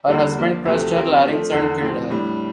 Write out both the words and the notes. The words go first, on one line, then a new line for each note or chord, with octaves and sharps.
Her husband crushed her larynx and killed her.
E2 D3 G3 A#3
F3 A#3 D4
D2 C3 F3 A3
F3 C4 G4 A#4
F3 A3 D4
E2 D3 A3
A2 F3 C4
A2 G3 D4